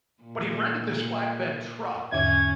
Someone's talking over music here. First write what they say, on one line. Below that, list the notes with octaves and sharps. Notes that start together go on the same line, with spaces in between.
but he rented this flatbed truck
A#2
E2 G#2 D3 C#4 G#6